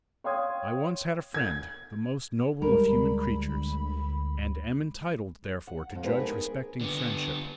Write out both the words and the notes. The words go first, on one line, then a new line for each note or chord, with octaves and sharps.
I once had a friend, the most noble of human creatures, and am entitled, therefore, to judge respecting friendship.
C#5 F5 G5 C6 D#6 G#6
G#6
D2 G3 G#3 A#4 B5
F#5
F2 G#2
A3 D#4 G4 B4 C5 D5
B3 G#4 A#4
D3 B3